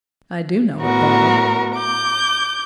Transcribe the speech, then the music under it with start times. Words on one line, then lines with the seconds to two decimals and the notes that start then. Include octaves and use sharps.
"I do know it, Barbara."
0.79 A2 B3 F#4 A#4
1.75 D6 G6